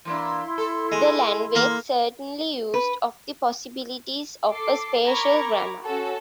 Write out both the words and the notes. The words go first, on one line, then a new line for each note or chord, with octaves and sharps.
The language certainly used of the possibilities of a spatial grammar.
E3 A#3 D4 E4 C6
A4
G#3
A#3 A#4
B4
A4 D6 C7
A#4 A#5 B5 C#6 D6 G#6
C#4 F#4 A4